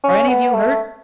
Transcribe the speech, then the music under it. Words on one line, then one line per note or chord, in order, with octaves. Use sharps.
"Are any of you hurt?"
C#4
B3
A3